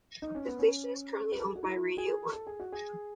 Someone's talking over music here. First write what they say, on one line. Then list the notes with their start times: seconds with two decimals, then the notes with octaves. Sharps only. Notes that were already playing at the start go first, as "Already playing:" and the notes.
The station is currently owned by Radio One.
0.22 D#4
0.35 C#4
0.47 B3
0.59 C#4
1.32 B4
1.39 A4
1.47 G#4
1.55 F#4
1.63 E4
1.98 G#4
2.32 A4
2.47 G#4
2.60 F#4
2.72 G#4